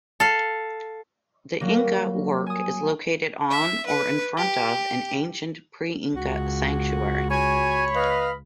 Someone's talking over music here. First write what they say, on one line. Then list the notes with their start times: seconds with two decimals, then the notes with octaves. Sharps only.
The Inca work is located on, or in front of, an ancient pre-Inca sanctuary.
0.20 A4 F5
1.61 F#3 G3 A#3
2.47 G#5 D#6
3.51 E5
3.86 B4
4.37 G4
6.16 C#2 F#4
7.31 F#4 C#5 G#5 B5
7.94 B4 D#5 F5